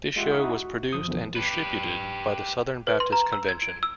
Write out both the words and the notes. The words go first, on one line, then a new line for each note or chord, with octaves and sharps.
This show was produced and distributed by the Southern Baptist Convention.
G#3 F4 G4 E5 F#5
D#4 E4 E5 F#5 C#6 D#6
F#4
G1 F3 D#6
G#1 E2 D3 F3
G4 B4
B4
C6
A#5
E6
G#6
D7
E6